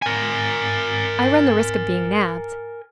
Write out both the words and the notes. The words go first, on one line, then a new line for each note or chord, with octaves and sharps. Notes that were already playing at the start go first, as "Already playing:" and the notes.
I run the risk of being nabbed.
A#4 G#5